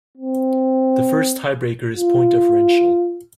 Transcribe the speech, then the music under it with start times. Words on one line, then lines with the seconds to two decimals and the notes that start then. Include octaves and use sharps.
The first tiebreaker is point differential.
0.17 C4
1.96 F4